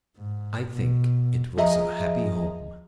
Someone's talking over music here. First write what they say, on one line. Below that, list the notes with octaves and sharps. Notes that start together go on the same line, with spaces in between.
I think it was a happy home.
G#2
B2
F3 G#4 D#5 E5 A#5